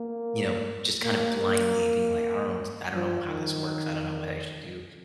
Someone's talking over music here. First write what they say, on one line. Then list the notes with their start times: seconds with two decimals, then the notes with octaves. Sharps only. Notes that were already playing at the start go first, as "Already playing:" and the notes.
you know, just kind of blindly being like, "I don't know what I don't know how this works. I don't know what I should do
Already playing: A#3
1.04 A#3
1.35 A#3
2.94 F3
3.27 D#3